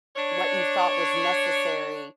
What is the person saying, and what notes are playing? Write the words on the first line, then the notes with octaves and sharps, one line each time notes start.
what you thought was necessary,
D4 C#5